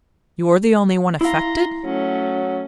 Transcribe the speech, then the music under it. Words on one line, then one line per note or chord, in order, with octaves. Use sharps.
'You are the only one affected?'
E4 F5 A#5 C6
F#3 A3 C#4